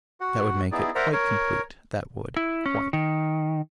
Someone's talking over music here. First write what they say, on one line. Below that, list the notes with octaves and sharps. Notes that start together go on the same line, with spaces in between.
That would make it quite complete, that would: quite.'
F#4 F#5
B3 D#4 E4 G#4 D5
A#4 C5 D5 E5 F#5 A#5
A#4 C#5
E4
C#4
D#3